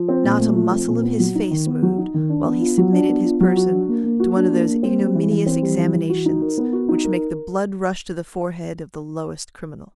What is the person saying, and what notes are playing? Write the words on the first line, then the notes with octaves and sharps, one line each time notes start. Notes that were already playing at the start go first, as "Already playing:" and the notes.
Not a muscle of his face moved while he submitted his person to one of those ignominous examinations which make the blood rush to the forehead of the lowest criminal.
Already playing: F3
C4
A#2
A3
F3
C4
A#2
B3
F#3
D#4
D#3
B3
F#3
D#4
D#3
D4
B3
F4
F#3
D4
B3
F4
F#3
F#4
D4
A#3
A#3
F#4
D4
A#3
A#3
C4
G3
E3
E3
C4
G3
E3
E3
F#4
D#4
A#4
B3
F#4
D#4
A#4